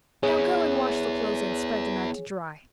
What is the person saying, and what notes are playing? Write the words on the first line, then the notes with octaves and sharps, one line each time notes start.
Now go and wash the clothes and spread them out to dry.'
B3 E4 G#4 C#5